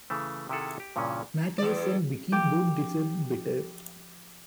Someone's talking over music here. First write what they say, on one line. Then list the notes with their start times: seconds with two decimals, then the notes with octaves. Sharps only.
Matthius and Vickie both deserved better.
0.10 C#3 E3 A3
0.49 C3 D#3 E4 G#4 A4 F#5
0.80 G4
0.96 G2 A#2 C#3 E3 C#4
1.58 E2 D5
2.32 F3 G4